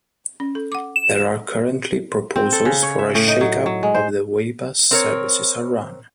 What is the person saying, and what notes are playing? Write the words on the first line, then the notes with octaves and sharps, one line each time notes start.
There are currently proposals for a shake-up of the way bus services are run.
C#4
A4
F#5 D6
E7
C4
A4
C#3
C#5
E5
A2
D#4
F#3
F#3
G#3
C5
C4 A#4 C#5